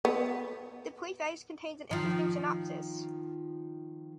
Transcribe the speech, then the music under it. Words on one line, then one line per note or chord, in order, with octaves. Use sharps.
The preface contains an interesting synopsis.
B3
D#3 F3